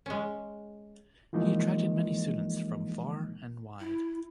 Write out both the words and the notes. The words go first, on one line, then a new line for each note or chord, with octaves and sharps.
He attracted many students from far and wide.
G#3 C#4
E3 F3 G#3 A#3 D#4 D#5
E4